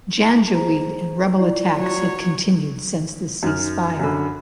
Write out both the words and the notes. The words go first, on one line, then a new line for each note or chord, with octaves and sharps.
Janjaweed and rebel attacks have continued since the ceasefire.
G#4 C5 A#5
E4 F4 D5
F#3 C#5
F#2 D#4 F6
F#2 D3 G#5 B5